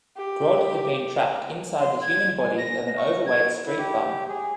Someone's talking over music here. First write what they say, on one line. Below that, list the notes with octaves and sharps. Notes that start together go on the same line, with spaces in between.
Grodd had been trapped inside the human body of an overweight street bum.
G4
C6
G#6
G#5
A#6
C#6
G#6
E4
G4
G#4